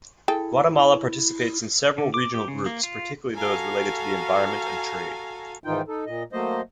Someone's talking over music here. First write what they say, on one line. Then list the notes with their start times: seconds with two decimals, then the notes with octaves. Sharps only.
Guatemala participates in several regional groups, particularly those related to the environment and trade.
0.28 E4 G#4 A4 G5
1.98 D3
2.14 D6
2.34 G4
2.48 C#3
2.66 A#3
2.83 F4
3.34 F#4 A4 F5 G#5 A#5
5.64 G#2 D#3 E3 D#4 F4 G5
5.88 D#4 A4
6.07 A#2 D#5
6.33 F#3 A3 A#3 C5 D#5